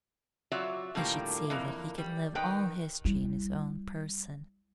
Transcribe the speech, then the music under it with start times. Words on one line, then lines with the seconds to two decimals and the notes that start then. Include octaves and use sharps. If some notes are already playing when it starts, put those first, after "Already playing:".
He should see that he can live all history in his own person.
0.52 F#3 F4 D5 E5
0.95 A2 D3 F3 G3 A#3
1.50 F2 E3 A#3
1.98 G3
2.35 D#3 B4 G5
3.05 G3 E4